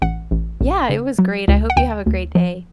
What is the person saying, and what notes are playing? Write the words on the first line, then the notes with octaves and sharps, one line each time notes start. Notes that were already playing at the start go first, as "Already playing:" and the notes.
Yeah, it was great. I hope you have a great day.
A1 F#5
A1
A1
C#3
F#3
C#2
F#5
D2 G5
D2
F3